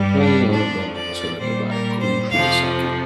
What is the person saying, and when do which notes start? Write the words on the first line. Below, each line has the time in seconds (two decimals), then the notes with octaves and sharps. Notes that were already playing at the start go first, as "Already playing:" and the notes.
Play Alabama Concerto by Kou Shibasaki.
Already playing: G2 G3
0.20 D4
0.50 F2 F3 D4
0.95 D5
1.39 A#2 G3 C5
1.70 A#4
2.00 C5
2.30 F2 C3 F3 F5